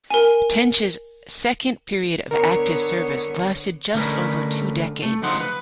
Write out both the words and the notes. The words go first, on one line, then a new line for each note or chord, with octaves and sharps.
"Tench"’s second period of active service lasted just over two decades.
A#4 G#5
D3 B3 A#4 C#5
D3 A3 C#4 A#4 B4
A3
D2 C#3 F3 D#4 F#5 C6
B4